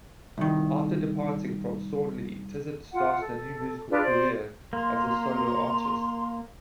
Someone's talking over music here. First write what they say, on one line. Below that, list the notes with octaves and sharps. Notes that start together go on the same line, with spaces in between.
After departing from Thornley, Tizzard started a new musical career as a solo artist.
C2 D#3
F4 F#5
A4
D4 F4 G#4 B4
C5 D5
A#3 A#5 C6